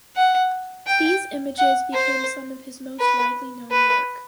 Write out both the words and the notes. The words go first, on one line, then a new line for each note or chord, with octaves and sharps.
These images became some of his most widely known work.
F#5
G5
F#5
C5
B4
B4